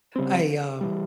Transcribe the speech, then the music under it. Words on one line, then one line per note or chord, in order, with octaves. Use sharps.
I, um,
C#3 G3 C4
E3 G3